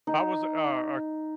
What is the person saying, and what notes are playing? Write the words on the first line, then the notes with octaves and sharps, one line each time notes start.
I was, a, uh uh
D#4